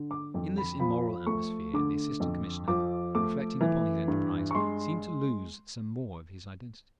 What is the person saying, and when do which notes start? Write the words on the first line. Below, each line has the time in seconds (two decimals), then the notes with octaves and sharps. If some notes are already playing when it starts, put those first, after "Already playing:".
In this immoral atmosphere the Assistant Commissioner, reflecting upon his enterprise, seemed to lose some more of his identity.
Already playing: D3
0.11 D6
0.34 F2
0.58 B5
0.80 F3 B5
1.27 A3 C#6
1.73 D3 D6
2.20 F2
2.68 F3 D6
3.15 A3 D6
3.61 E3
4.08 G2
4.51 C#6
4.55 G#3 C6